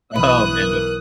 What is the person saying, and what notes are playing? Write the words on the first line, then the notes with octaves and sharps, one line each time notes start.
Oh, man.
B1 E3 B4 D#6 F#6
A#4